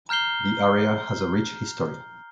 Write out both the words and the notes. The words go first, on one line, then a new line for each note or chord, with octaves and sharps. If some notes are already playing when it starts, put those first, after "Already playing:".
The area has a rich history.
A#5 F6 G6 C7 G7